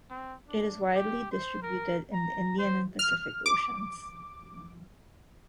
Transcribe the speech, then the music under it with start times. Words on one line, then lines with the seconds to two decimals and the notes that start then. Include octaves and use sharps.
It is widely distributed in the Indian and Pacific Oceans.
0.11 C4
0.48 D4
0.95 G4
1.32 C5
1.62 A#4
2.13 A#5
2.58 C5
2.99 F6
3.46 D6